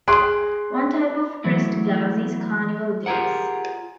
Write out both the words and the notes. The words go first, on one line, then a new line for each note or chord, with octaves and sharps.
One type of pressed glass is carnival glass.
G#4 C6 F#6 D7
E3 F#3 A3 E4
F4 G4 G#4 A#4 F#5